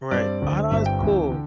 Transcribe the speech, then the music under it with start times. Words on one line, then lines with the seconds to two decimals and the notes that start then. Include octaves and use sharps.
Right, ah, that's cool.
0.11 G2 G3 C4 D5
0.41 D2 D3 C4
0.71 G1 G2 G3 C4 E5
0.86 G5
1.01 D2 C3 E3
1.32 D3